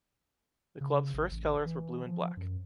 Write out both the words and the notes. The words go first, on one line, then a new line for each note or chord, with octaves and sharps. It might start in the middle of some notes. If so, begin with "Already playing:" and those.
The club's first colors were blue and black.
C#3
A1
A1
E3
F3
F#2